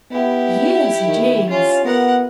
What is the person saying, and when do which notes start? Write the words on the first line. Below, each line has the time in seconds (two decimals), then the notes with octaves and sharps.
Yes, James.
0.11 B3 E4 G4
1.05 D#3
1.50 C#4 F4
1.85 B3 A#4 F#5